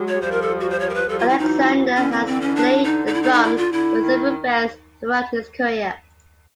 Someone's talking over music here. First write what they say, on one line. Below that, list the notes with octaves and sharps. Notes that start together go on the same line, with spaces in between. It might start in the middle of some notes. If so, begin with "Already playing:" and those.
Alexander has played the drums for several bands throughout his career.
Already playing: F#3 G#3
C#5
F3 G3 C5
A#4
A4
F#4
C5
C#5
A#4
B4
F3 G3 A4
F4
E4
E3 F#3 D#4
D3 E3 C#4
C4
C4
C#4
D4
D3 D#4
D#4
E4
D#4
D#4
E4
F4
D3 E4
D#3